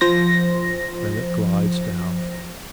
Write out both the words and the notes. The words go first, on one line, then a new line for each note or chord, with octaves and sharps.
Then it glides down.
F3 C5 A#6